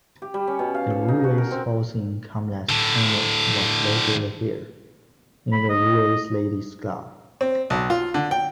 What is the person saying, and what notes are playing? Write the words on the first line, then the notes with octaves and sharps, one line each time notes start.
The Ruwais Housing Complex Clinic was located here, near the Ruwais Ladies Club.
G4
G3
C#4
B2
F5
A4
D#4
F#4
A#4
C4
A2 D3
B5
D#5
C4
B1
F4
D3
G5